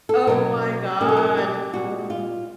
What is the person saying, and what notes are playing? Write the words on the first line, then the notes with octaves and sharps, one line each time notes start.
Oh, my gosh, no.
A4
B2 F#3 A#3 C#4 A#4
B2 F#3 A#3 C#4 A#4
A4
A#4
G4
A#2 G3 C4 F#4
F4